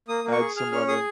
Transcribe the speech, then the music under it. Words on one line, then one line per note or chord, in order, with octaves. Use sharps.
add some lemon,
A#3 D#6
A#3
C#6
G#4
G#4 F6
C#4 F6
G#4 D#6